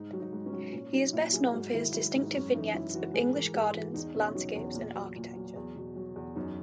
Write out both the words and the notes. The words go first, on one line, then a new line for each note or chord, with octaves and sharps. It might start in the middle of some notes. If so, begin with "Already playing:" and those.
He is best known for his distinctive vignettes of English gardens, landscapes, and architecture.
Already playing: G#2 D#4
F#3
D#4
G#2
C#4
F#3
A#2 C#4
F#3 D#4
A#2 E4
F#3 G#4
G#2 F#4
D#3 E4
F#3 E4
G#2 D#4
F#2 C#4
E3 D#4
F#2 E4
E3 F#4
G#2 G#4
E3 A#4
G#2 G#4
E3 F#4
E2 D#4
B2 C#4
F#3 D#4
E2
A#2
F#3
A#2
F#3
E2
B2
F#3
E2
F#2 D#4